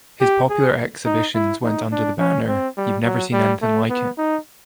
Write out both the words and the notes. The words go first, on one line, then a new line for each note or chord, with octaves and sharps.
His popular exhibitions went under the banner You've never seen anything like it!
G4
G#4
D#4
E4
D#4
D4
C#4
C4
G3
F#3
G3
A3
B3
D#4